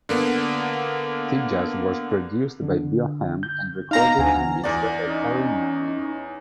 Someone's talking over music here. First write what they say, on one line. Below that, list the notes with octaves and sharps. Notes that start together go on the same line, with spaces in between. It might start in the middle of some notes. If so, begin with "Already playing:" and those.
"Tejas" was produced by Bill Ham and recorded and mixed by Terry Manning.
D3 A#3 B3
D3
G6
B3 D#4 F5 A#5
D2 F#5 G#5
E2 D5
C#4 D#4